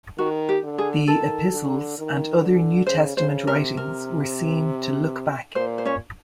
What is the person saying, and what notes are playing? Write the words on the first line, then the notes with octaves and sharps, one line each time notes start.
The epistles and other New Testament writings were seen to look back.
D#3 F#4
G4
D3
G#4
D#3 A4
D3
D#3
D3
C#3 C5
C#3 C5
C3 A#4
A#4
A#2 C5
C5
C#4 C#5